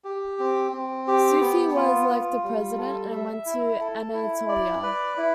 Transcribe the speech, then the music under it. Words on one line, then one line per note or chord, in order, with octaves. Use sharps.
Suphi was elected President and went to Anatolia.
G4
C4
C4
G4
B3
F4
F4
G3
A4
E5
E4
A4
E4
D5
B4
E4